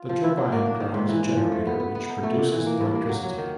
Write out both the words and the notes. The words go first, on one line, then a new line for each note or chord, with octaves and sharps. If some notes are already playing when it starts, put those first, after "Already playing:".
The turbine drives a generator which produces the electricity.
Already playing: F4
F3
E4
F#3
A#3
D4
D#3
G#2
E3
E3
F3
A3
B3
B3
B3
D#4
A3
A#2
E3
A#3
G2
A#3
F#3
F#3
D#3